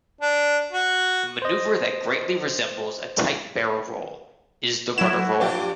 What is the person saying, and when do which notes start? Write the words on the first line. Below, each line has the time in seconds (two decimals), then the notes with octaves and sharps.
A maneuver that greatly resembles a tight barrel-roll is the rudder roll.
0.21 D4
0.72 F#4
1.42 C5 D#5
4.98 F#3 E4 F#4 E7
5.41 G2 F3 G4